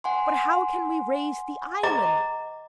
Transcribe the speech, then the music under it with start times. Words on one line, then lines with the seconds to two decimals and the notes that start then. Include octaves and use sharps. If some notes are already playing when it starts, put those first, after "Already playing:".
"But how can we raise the island?"
0.04 F#5 G#5 C6
1.83 D#5 A#5 D6